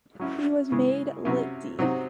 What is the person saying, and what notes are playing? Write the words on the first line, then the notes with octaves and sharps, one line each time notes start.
He was made Litt.D.
F#3 C#4 E4
C#3 E3 G#3
C3 F#3 C#4 E4
C3 F#3 C4 D#4 F#4